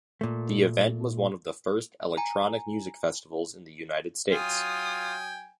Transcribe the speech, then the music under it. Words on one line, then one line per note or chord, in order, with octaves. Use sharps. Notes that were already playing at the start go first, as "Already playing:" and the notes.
The event was one of the first electronic music festivals in the United States.
A#2 A3
G#5 A#5
F#3 F4 G5 G#5 D#6